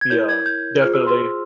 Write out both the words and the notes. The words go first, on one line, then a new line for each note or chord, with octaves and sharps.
Yeah. Definitely.
G#6
E4 A#4 C#5 G6
G#6
G6
F4 G#4 C5 F6
E6
C6